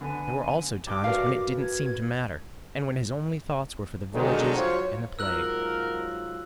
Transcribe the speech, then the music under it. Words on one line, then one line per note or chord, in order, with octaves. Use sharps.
There were also times when it didn't seem to matter, and when his only thoughts were for the villages and the plague.
D3 B3 G#5
G2 D6
F#4 A#4 B4 D5 F5
G#6
D3 D#3 F#3 G#3 D4 D#4
F#3 F4 C5 C#5
G#2 F#3 F4 A#4 E6 F#6 F#7